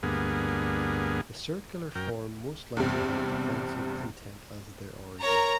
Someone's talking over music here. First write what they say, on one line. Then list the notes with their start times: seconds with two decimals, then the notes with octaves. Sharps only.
The circular form most likely had defensive intent as their origin.
0.03 D2 G2 A#3 B3 G#4
1.95 F#2 A#4 G5
2.77 E2 G2 C3
5.22 A#4 C#5 A#5